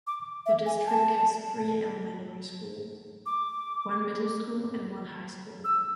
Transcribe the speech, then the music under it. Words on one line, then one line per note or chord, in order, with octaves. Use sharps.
The district has three elementary schools, one middle school and one high school.
D6
E5
G#5
A5
D6
E6